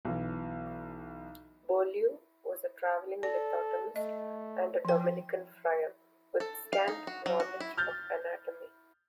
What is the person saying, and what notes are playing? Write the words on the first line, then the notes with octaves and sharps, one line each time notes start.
Beaulieu was a travelling lithotomist and a Dominican Friar, with scant knowledge of anatomy.
B1 E3
A4 D5
A3 D#5
F3 G5
A4
F5
D#4
F#4
F#3
F#4
E4
F6 G6 A6